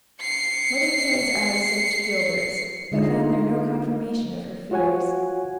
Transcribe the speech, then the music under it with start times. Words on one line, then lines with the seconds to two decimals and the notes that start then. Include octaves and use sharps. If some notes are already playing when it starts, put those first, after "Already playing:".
Mother Carey's eyes searched Gilbert's, but found there no confirmation of her fears.
0.22 C7 C#7
2.92 D3 G#3 D#4 F4 D#5
4.71 F4 F#4 C#5 F#5 G#5